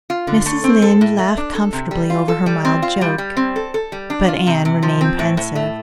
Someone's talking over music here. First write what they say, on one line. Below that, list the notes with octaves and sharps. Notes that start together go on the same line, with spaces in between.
Mrs. Lynde laughed comfortably over her mild joke, but Anne remained pensive.
F4
D3
A3
C4
A4
A2
A3
D4
A4
C3
G3
F4
A4
G3
C4
F4
G3
G3
C4
A4
A4
G3
D4
F4
C3
C3
F3
C4
A2
A2
A3